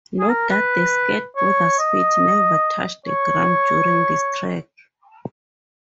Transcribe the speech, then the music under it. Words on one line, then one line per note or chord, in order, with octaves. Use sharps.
Note that the skateboarder's feet never touch the ground during this trick.
G#4
A#4
B4
C#5
D#5
C#5